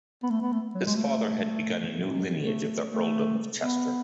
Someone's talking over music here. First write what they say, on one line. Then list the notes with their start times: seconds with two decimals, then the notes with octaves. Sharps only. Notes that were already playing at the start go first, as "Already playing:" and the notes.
His father had begun a new lineage of the earldom of Chester.
0.23 B3
0.30 A3
0.42 B3
0.52 A3
0.75 F#3
0.85 G#3
0.96 A3
2.43 A3
2.92 A3
3.57 B3